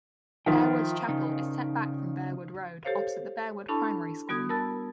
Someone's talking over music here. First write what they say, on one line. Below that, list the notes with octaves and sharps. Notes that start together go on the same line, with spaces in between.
Bearwood Chapel is set back from Bearwood Road opposite the Bearwood Primary School.
D#3 F3 F4 E5 G5
C#3 D#4
G4 A4 C5 C#5 F5
D4 E4 A4 A5 B5 C#6
G3 B3 F#4 D#6 G#6
A#4 A5 B5 E6 A6